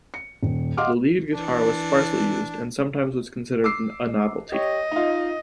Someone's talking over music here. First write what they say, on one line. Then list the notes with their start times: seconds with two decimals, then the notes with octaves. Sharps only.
The lead guitar was sparsely used, and sometimes was considered a novelty.
0.14 C#7
0.43 D#1
0.77 D#5 F5 F#5 C6 D6 F6
1.30 E3 D4
3.64 D6 E6 C7
4.52 G4 C#5 D#5
4.92 D#4 F4